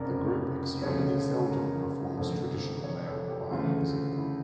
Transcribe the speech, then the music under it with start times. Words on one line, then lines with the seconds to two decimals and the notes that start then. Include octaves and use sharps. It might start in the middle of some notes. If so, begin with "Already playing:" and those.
The group extremely seldom performs traditional male choir music.
Already playing: F1 F2 C#3 A#4 D5
0.82 D2 C#3 F3 A3 C#5
1.50 A#4
2.17 F1 F2 D3 A3
2.84 C#5
3.06 A4
3.28 G4
3.51 D2 C#3 E3 A3 F4
4.17 E4